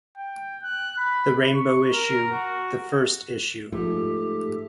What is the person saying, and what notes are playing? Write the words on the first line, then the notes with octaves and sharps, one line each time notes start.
"The Rainbow Issue", "The First Issue".
G5
F#6
B5
C#6
A#4
F#4
G#2 F3 A3 G4 A4